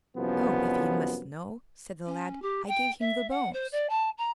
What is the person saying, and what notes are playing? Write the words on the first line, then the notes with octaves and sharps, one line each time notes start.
"Oh, if you must know," said the lad, "I gave him the bones."
C2 F#2 F3 B3
C#4
G4
G5
E5
F#5
C5
D5
A5
A#5